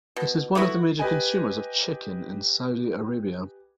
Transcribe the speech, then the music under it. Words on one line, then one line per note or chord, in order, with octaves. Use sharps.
It is one of the major consumers of chicken in Saudi Arabia.
B2
A3 B3 E4 F#4
G4 B4 D#5 G#5